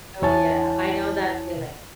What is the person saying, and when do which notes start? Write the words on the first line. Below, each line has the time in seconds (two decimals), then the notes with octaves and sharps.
Oh, yeah, I know that feeling,
0.22 E2 E4 C#5 G#5 A5 A6